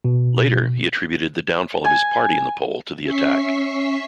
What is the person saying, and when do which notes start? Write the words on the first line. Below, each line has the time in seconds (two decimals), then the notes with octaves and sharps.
Later, he attributed the downfall of his party in the poll to the attack.
0.04 B2
1.84 G#5
3.03 C#4 E5 C#6 B6 C7